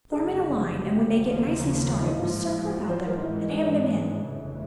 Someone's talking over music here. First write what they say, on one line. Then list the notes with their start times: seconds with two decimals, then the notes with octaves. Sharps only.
Form in line and when they get nicely started, we'll circle about them and hem them in.
0.12 F#1 F2 D3 G3 B3 G#4
0.38 G4
0.63 G4
0.85 G4
0.89 F#4
1.15 D#2 C#3 F3 A#3
2.00 D#4
2.10 E4
2.19 A1 G#2 F3 F4
2.45 E4
2.71 F#4
2.88 C5
3.05 A#4
3.17 D#4
3.22 G#2 E3 G#3 E4
3.36 D#4
3.49 D4
3.62 C#4
4.26 G1 F2 C#3 E3 A3